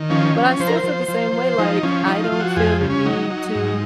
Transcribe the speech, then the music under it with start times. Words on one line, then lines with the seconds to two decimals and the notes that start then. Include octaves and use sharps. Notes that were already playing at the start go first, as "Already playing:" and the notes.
But I still feel the same way, like, I don't feel the need to
Already playing: D#3
0.10 F3 C#4
0.35 F3
0.60 F3 C5
0.68 A#4
0.77 C5
0.84 F3
1.08 F3
1.33 F3
1.58 F3 D#4
1.83 F3 C#4
2.07 F3 D#4
2.24 F4
2.32 F3
2.40 F#4
2.56 F2 G#4
2.81 C#3
2.90 C#4
3.05 F#3 D#4
3.30 F#3
3.55 G#2